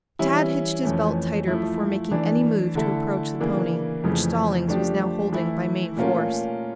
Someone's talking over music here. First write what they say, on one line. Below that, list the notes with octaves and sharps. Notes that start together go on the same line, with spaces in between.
Tad hitched his belt tighter before making any move to approach the pony, which Stallings was now holding by main force.
E3 G3 C#4 E4
F2 E3 A3 C#4
F3 A3 E4
E3 A3 D4
D3 A3 E4 A4
C#3 E3 A#3 D4
F2 C#3 E3 A3
F3 A3 D4 G4
E3 A3 E4
A#2 A3 C#4 F4 A#4